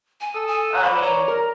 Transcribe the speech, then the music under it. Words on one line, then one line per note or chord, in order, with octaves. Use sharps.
I mean
G#5
A4 D#6 E6
G#5
D5 B5
C#5 A#5
A#4